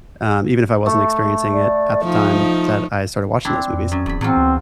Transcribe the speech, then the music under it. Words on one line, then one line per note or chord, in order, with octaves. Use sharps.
um, even if I wasn't experiencing it at the time that I started watching those movies.
A3
D5
F3 D#4 F4
C4 D4 E4
F2
F#2
D#1 E2 B5
E2 A2 F#3 C4 F4
D2